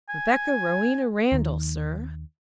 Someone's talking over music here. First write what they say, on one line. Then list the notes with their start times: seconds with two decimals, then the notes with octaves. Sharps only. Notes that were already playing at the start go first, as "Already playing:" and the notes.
"Rebecca Rowena Randall, sir."
0.09 G#5
1.32 D#2 D#3